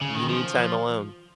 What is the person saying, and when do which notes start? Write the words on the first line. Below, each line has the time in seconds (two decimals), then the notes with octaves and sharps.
You need time alone.
0.01 C#3
0.15 D#3
0.29 F3